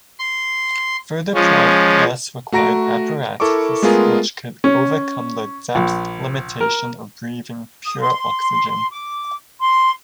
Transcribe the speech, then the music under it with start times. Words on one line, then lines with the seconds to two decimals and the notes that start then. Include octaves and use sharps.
Further progress required apparatus which could overcome the depth limitation of breathing pure oxygen.
0.19 C6
1.34 F3 G#3 C#4
2.52 A3 F#4 A#5 A#6 D7
3.40 E4 A4 A#4 C#6 D6
3.82 G#3 A3 B3 F4 G#4 A#4
4.64 C#4
5.75 A#1
6.61 A#4
7.85 D#6
8.01 C6
8.91 D6
9.61 C6